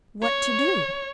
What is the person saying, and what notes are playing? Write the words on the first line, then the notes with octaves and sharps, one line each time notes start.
"What to do?"
C#5